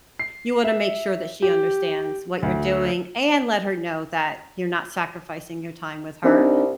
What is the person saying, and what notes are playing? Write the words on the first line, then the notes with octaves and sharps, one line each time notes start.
you wanna make sure that she understands what you're doing, and let her know that you're not sacrificing your time with her.
C7
E5
G4
D2
C2 C4 D4 D#4